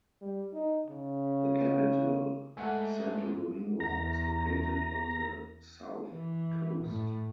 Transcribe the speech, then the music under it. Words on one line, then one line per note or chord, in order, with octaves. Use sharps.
The capital, Santo Domingo, is located on the south coast.
G3
D#4
C#3
G#2 A3 A4 F#5 G#5
E2 A#5
E3
A2